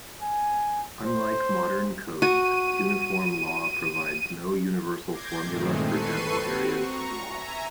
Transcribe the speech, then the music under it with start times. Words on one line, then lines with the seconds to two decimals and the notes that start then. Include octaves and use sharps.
Unlike modern codes, Cuneiform law provides no universal formula for general areas of law.
0.21 G#5
1.06 C5
2.22 F#4 D#7
5.08 D6 G6 G#6 A#6 C7
5.41 G2 A#2 D#3 G#3 A3 C4
5.80 A4 B4 C#6 C7 D#7
6.35 C4 F#4
6.75 A#5 C#6
7.31 E5 G#5 A#5